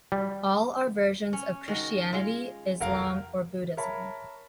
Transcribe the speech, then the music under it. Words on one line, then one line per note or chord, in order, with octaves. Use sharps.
All are versions of Christianity, Islam or Buddhism.
G3
C#4
D#3 G#3 F#4
G#3 F4
F1 A#4 F5
A#4 C#5 E5 A5 B5